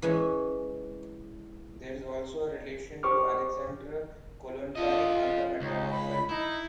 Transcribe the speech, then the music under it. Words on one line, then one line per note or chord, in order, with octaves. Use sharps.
There is also a relation to Alexandra Kollontai on the maternal side.
E3 G#3 C#4
G4 C5 C#6 D6 F6
F4 A4 D#5
C#2 D#4
B5
D#4 E4